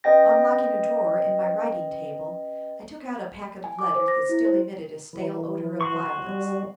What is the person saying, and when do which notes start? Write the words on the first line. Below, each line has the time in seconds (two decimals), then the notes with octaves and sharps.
Unlocking a drawer in my writing-table, I took out a packet of letters that still emitted a stale odour of violets.
0.04 C#4 B4 D#5 G5 A#6
3.64 G#5
3.79 D6
3.95 C5
4.08 A#6
4.29 E4
4.45 C5
5.13 E3
5.81 F#4 C6 C#6
6.27 G3